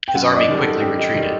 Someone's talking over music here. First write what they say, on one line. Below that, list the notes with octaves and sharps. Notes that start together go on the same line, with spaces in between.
His army quickly retreated.
G5
F#2 F#5
D5
D#5
D#3 G3
A4
A4
F#2 G4
D#4
D#3 G3 D#4